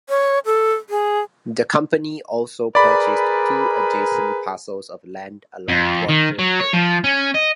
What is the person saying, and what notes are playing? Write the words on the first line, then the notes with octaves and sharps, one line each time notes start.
The company also purchased two adjacent parcels of land along Brodhead Road.
C#5
A4
G#4
G#4 A#4 B4 D5 B5
F2
D#3
F#3
C#5
F3
C#4
D#5